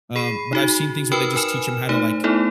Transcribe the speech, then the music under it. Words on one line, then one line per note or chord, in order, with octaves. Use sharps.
Um, but I've seen things where they just teach 'em how to, like,
G#4 B5 C7 D#7
D#4 F#4
A#4 B4 G5 B5 E6 F6
A#4 G#5 F6 E7
A3 D#4 C5
A3 B3 D#4 E4 A4